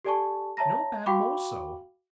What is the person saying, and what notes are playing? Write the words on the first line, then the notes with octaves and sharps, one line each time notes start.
"No man more so."
G4 A4 D5 G#5 A5 C#6
C#5 E5 A5 A#5 A#6
F#4 F5 G5 B5 C#6 D6